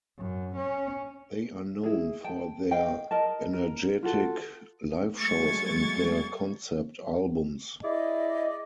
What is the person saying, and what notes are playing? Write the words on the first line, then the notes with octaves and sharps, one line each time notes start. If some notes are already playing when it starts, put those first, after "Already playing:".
They are known for their energetic live shows and their concept albums.
F#2
C#4
E4 G#4
G5 A5
D#5 F5 G5
A#4 D#5 A5
A#4
F4 F#4 A4
F#3 G#3 A3 C#6 G#6 A6
E4 G#4 D5 D#5